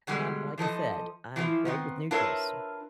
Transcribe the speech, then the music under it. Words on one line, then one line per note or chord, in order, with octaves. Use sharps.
Um, like I said, I'm great with neutrals
B2 D3 G3 G#3
E3 F3 A4 D#5
E3 F3 E4 F4
D#3 B3 C4
D4 F4 A#4 B4 C#5 E5